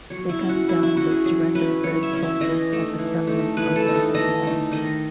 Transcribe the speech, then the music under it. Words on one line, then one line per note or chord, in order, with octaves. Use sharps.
They gunned down the surrendered Red soldiers at the Kremlin Arsenal wall.
F#3 C#5
E4
C#4 E4
F#4
F#3 E4
E4
C#4 E4 F#4
G#4
F#3 G#4
C#4 E4 B4
F#3 C#5
E5
C#4 E4
E5
E3 D#5
A3 D#4
E3
A3 D#4
E3 B4
A4
A3 D#4
A4
E3 D#5
A3 D#4
D#3 D#5